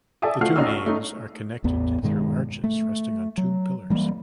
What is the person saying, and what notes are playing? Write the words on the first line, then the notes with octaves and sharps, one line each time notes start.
The two naves are connected through arches rested on two pillars.
A4 D5 E5 G#5 A5 D#6
F3 A3 F#4 F#5 F6 C7
A#1 C#4 D#4 D#5 C#6 E6
C#6
A3 C#4 D#4
A1 E2 B3
G2 B2 D#3 G#3
A3
F#3
E3 G3 G#3 A#3